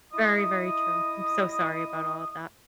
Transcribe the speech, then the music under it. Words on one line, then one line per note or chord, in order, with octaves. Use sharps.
Very, very true. I'm so sorry about all of that.
E4 D#5 D#6